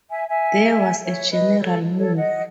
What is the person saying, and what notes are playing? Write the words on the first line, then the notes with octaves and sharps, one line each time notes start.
There was a general move.
E5 G#5
E5 G#5
C#5 E5
B4 D#5
A4 C#5
A4 C#5
D#5 F#5